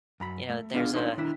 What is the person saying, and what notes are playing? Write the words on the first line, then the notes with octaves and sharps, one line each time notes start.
you know, there's a
F#2 A#5 B5
A3
B3 D4 F4 G#4 F5
D4 D#4 A4 C#5 C6
D#3 D4 E4